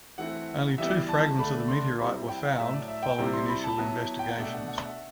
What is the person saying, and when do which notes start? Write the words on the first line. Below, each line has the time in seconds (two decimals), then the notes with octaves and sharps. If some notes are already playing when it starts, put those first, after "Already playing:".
Only two fragments of the meteorite were found following initial investigations.
0.18 E3 A3 C4 E4 F#5
0.78 E3 G3 B3 E5
0.89 D5
1.09 A5
1.39 D3 A3 D4 B5
1.68 C6
1.99 C3 G3 C4 E4 B5
2.29 G5
2.44 F#5
2.58 A2 F#3 A3 E5
2.74 D5
2.88 E5
3.03 G5
3.18 C3 G3 C4 E4
3.34 C6
3.48 B5
3.64 A5
3.78 F#3 B3 E4
4.19 G5
4.29 F#5
4.38 B2 A3 D4 E5
4.54 F#5
4.68 F#5
4.83 E5